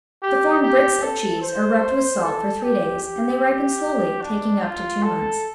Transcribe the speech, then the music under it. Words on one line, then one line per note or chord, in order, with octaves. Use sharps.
The formed "bricks" of cheese are rubbed with salt for three days and they ripen slowly, taking up to two months.
G4
G4
A4
C5
A4
G4
G4
D4
F4
A4